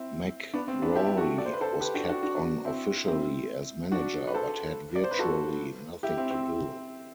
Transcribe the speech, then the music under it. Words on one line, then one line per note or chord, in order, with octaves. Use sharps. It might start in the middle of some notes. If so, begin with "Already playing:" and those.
McGrory was kept on officially as manager, but had virtually nothing to do.
Already playing: C4 E4
B3 D4
C4
B3 D4
E4 G4
F#4 A4
D5
C5
B4
A4 C5
G4 B4
D4 F#4
D4 F#4
D4 F#4
C4 E4
C4 E4
D4 F#4
B4
A4 C5
D5
C5
B4
F#4 A4
E4 G4
C4 E4
C4